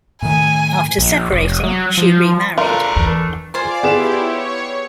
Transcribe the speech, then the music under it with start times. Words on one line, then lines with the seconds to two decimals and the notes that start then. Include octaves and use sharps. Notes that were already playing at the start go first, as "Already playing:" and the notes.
After separating, she remarried.
0.22 A2 D#3 G#5
0.98 A#1
1.32 F1
1.64 F#3
1.97 F3
2.58 E3 A3 D4 F4 A#4 B4
2.96 E2
3.54 F4 C5 D5 F5 G#5 D6
3.83 B3 E4 G4 G#4 E7
4.15 C#5